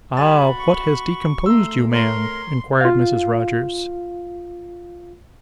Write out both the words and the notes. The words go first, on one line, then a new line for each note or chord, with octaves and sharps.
'Ah, what has decomposed you, ma'am?' inquired Mrs. Rogers.
G3 F#4 G#5 B5 A6
C#6
A3 A#5 C6 E6
A#4 C#5 A#5 C6
F4 F5